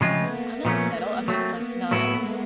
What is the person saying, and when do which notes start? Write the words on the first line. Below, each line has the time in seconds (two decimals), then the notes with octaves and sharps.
I'm not even that old. I'm just, like, not
0.01 C#3 F3 G#3 A3 C4 F4
0.24 B3
0.34 A#3
0.65 A#2 F3 A3 B3 C#4
0.81 A#3
0.97 A#3
1.12 B3
1.28 F#3 A3 A#3 C4
1.59 B3
1.91 A2 F#3 A#3 B3 E4
2.07 A3
2.23 G#3